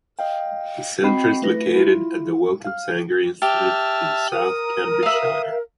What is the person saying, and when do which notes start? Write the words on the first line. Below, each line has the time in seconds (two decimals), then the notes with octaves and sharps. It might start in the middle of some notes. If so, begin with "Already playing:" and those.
The centre is located at the Wellcome Sanger Institute in South Cambridgeshire.
0.19 D#5 F5 G5
1.03 C4 F#4 D#5 G5 B5 C7
1.42 A3 E4 B4 A#6
1.76 E4 F4
2.65 F5 F6
3.42 G4 E5 A5 F6
4.32 A#4 D#6
5.03 E5 F5